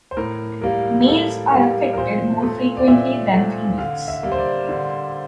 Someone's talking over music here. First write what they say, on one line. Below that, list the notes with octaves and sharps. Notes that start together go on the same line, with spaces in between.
Males are affected more frequently than females.
C5
A2 A#4
G3 A#3 A#4
A2 A4
G3 A#3 A#4
A#4
A#2 C5
A3
D5
A#2 E5
A3
D3 F5
E5
G3 A#3
C5
D5
D3